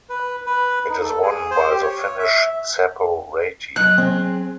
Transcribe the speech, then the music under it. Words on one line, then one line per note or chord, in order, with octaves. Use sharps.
It is won by the Finnish Seppo Raty.
B4
B4
D#4
A4
G#4
C5
G4
C#5
E5
F#3 D#5 F#6
C4 G#4